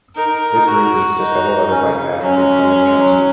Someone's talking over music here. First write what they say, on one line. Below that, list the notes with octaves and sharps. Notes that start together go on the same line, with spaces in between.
This route leads to several other bike paths in Summit County.
D#4 A#4
D#4
D#4
F#4
D#4
C#4
C#3
C#3
C#3
F#3 C#4
G#3
F#3
G#3
F#3
G#3
F#3